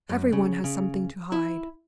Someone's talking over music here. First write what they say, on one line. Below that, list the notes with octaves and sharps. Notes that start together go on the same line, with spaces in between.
Everyone has something to hide.
F#2
C#3
C#3
E4